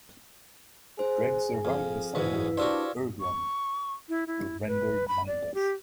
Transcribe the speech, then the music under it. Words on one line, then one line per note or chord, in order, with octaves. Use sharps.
The Dreggs survived the sundering of Urgrund, but were rendered mindless.
G#4 C5
F2 F5
E2 G#2 B2 E4 B4
D4 F#4 G4 C5 D5 F5 E6
C#6
E4
E4
B4
B5
D5
G4